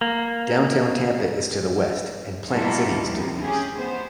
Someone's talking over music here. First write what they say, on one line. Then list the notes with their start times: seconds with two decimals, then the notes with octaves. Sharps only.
Downtown Tampa is to the west, and Plant City is to the east.
0.01 A#3
2.51 B2 G3 A#3 E4 F4 A4
3.04 D#2 A2 C3 F3
3.41 C#4 G4 G#4
3.77 A3 B3 C5